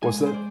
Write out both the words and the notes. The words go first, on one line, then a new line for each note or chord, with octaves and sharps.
What's that?
G#3 G#5
C5
D5